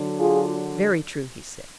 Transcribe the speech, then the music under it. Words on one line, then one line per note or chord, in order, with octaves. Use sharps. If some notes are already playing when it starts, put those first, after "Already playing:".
Very true, he said.
Already playing: D3 F#3
F4 G#4